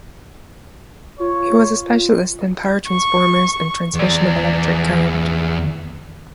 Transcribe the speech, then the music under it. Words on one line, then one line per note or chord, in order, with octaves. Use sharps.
He was a specialist in power transformers and transmission of electric current.
F4 C#5
C#6
E2 D5